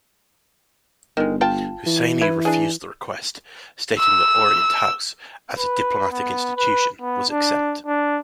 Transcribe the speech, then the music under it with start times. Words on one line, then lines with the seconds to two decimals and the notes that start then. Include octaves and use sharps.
Husseini refused the request, stating that Orient House, as a diplomatic institution, was exempt.
1.17 G1 D#3 G#3
1.41 F4 G5 A5
1.86 E3
2.21 E4 B4
2.45 D4 G#4
3.99 E6
5.58 B4
6.12 B3
6.57 B4
7.01 B3
7.31 D4
7.87 D4